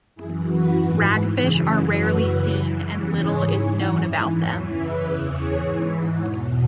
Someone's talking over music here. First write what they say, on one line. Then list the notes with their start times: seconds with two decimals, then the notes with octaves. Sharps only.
Ragfish are rarely seen and little is known about them.
0.15 F#2 E3 E4 G#4
0.45 F#2 E3 F#4 B4
0.75 G#2 E3
1.05 E3 F#4 B4
1.09 G#2
1.35 F#2 C#3 E3 E4 G#4
1.65 F#2 C#3 E3 C#4 F#4
1.95 F#2 E3 F#4 B4
2.26 F#2 C#3 E3
2.55 F#2 E3
2.86 E2 C#3 E3 C#5 F#5
3.15 G#2 E3 G#4 C#5
3.46 G#2 E3
3.75 F#2 E3 C#5 F#5
4.06 G#2 E3 E5 G#5
4.36 E2 E3 C#5 F#5
4.66 F#2 C#3 E3 B4 E5
4.96 E2 C#3 E3
5.26 E2 E3 G#4 C#5
5.56 G#2 E3
5.86 G#2 B4 E5
5.91 E3
6.16 E2 B2 C#5 F#5